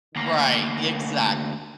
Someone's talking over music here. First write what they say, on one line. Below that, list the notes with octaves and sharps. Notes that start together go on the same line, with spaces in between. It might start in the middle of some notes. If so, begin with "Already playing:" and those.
Right, exact
D2 A#3